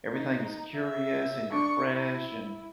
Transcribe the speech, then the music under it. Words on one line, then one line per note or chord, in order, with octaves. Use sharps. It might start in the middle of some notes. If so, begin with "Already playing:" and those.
everything is curious and you're fresh and,
D#4
E5
D4 C#6
E4